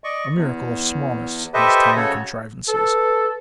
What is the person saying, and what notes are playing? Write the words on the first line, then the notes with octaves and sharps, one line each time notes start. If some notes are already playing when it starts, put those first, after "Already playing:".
A miracle of smallness, these tiny contrivances.
D5 D#5 C#6
E2
G4 A4 B4 C5 D#5 E5
C#3 F#4 A4 C#5
A4 B4